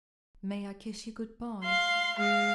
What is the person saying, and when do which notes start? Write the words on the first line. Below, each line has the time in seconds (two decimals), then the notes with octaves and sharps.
"May I kiss you good-by?"
1.64 F5 C6
2.16 G#3 F5